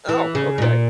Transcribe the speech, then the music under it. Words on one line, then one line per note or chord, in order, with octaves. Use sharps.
Oh, okay.
E3
C#3
G#2
A#2